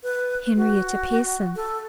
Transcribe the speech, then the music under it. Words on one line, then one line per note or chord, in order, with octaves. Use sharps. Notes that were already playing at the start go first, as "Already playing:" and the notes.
"Henrietta Pierson."
B4
F#4
A4